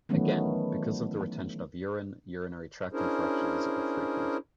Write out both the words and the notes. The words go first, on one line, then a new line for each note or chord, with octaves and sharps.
Again, because of the retention of urine, urinary tract infections are frequent.
D#3 E3 F#3 A3 B3 C#4
C#4 D4 E4 G#4 A#4 C5